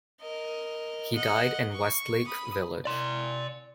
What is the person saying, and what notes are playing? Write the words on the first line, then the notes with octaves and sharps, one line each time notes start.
He died in Westlake Village.
A#4 D#5
D#5 F#5
C#6
B5 D#6
D5 C6